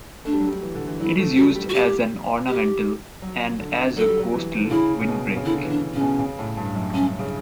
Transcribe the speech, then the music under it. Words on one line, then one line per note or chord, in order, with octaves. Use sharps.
It is used as an ornamental, and as a coastal windbreak.
A3 D4
G3
F#3
G3
E3
D3
E3
F#3 E4
A3
G3 F#4
G3
F#4
G4
G4
F#3
D3
F#3 A4
G3
F#3
E3
D3
C#3 E4
C#3
B2
C#3
D3 E4
E3
D4
C#3 C#4
B2
C#3
A2
G2
F#2
G2 C#4
C#3